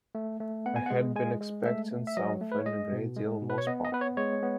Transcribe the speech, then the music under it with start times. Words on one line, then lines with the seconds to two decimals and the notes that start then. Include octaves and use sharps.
I had been expecting something a great deal more sparkling.
0.15 A3
0.40 A3
0.66 B3 F#5
0.76 G#5
0.86 F#5
0.90 G#3
1.15 G#3 G#5
1.41 G#3
1.66 A3 E5
1.91 A3
2.07 E5
2.17 F#3 D#5
2.41 A3
2.52 B4
2.58 C#5
2.66 G#3 D#5
2.92 B2
3.17 G#3
3.42 B2
3.50 B4
3.58 C#5
3.67 B3 D#5
3.85 D#5
3.92 B3 B4
4.01 C#5
4.17 G#3 C#5
4.43 B3